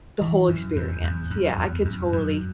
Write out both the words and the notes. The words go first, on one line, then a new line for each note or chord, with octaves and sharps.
the whole experience. Yeah, I could totally s
E3
F#2
E2
E2
F#2
E2
F#2
F#2